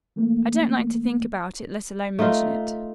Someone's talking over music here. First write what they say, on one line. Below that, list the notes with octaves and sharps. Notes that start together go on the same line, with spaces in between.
"I don't like to think about it, let alone mention it."
E3 A3 A#3
A3 D#4 F4 A#4